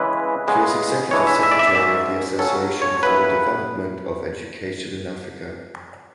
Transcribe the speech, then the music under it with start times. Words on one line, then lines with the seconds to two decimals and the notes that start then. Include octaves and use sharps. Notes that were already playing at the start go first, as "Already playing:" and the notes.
She was Executive Secretary of the Association for the Development of Education in Africa.
Already playing: C#3 E3 G#3 C#4 E4 B4
0.48 C#3 G#3 B3 E4
1.11 C#2 C#3 E3 G#3 D4 C#5
1.27 E5
1.43 E5
1.51 D5
1.59 E5
1.67 D5
1.75 G#2 G#3 C#4 E5
2.39 C#2 C#3 F#3 C#4 A4
2.82 C#5
3.03 C#3 F#3 B3 E4 B4